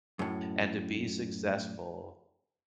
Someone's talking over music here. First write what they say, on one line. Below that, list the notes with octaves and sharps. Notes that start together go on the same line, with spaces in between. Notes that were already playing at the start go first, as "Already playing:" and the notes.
and to be successful
F#2 A2